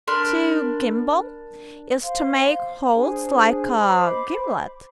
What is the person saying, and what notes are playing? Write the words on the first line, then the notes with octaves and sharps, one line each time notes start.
To "GIMBLE" is to make holes like a gimlet.'
D4 A#4 B5 C6
C5 F5 C6
D4 G#4 C5 G#5
C5 D#5 B5 D6